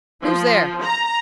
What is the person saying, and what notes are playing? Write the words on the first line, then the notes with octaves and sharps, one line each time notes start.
"Who's there?"
F3
A#5